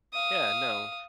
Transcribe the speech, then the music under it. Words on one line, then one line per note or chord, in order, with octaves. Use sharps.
Yeah. No.
F5 D#6